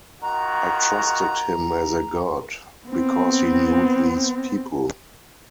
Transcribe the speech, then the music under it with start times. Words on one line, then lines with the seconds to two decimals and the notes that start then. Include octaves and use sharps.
I trusted him as a god, because he knew these people.
0.22 D#3 F4 F#4 A#5
2.86 B3 C4